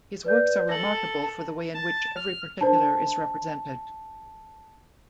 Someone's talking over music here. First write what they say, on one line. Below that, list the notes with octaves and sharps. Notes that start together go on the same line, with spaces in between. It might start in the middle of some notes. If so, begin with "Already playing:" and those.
His works are remarkable for the way in which every particular is represented.
B4 D5 G6
A4 A#6 F#7
A5
F6
D4 A#4 C5 A5